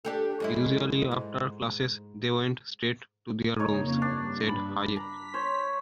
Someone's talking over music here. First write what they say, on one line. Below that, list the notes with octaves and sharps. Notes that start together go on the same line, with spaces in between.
Usually, after classes, they went straight to their rooms, said Hayk.
D4 G4 A4
F#2 G#3 E4
G#2
F2 C#3 A#3 D#4 C#5
G2 D4
B5
A#5 B6
C5 C#5